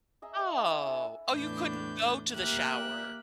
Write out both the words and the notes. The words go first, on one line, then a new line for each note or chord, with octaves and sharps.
Oh. Oh, you couldn't go to the shower.
G#4 D#5 E5 A#5
G#4 C#5
B3 D4 E4
E5 G#5
A4 G#5 A#5
E2 A2 D4 B4 G6
A#3 G4 A#4 E5 F#6